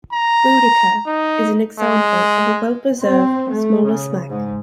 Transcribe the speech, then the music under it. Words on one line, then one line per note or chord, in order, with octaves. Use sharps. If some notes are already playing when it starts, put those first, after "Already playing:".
"Boadicea" is an example of a well-preserved smaller smack.
A#5
D#4
G#3
C4
A3
C#3
G#2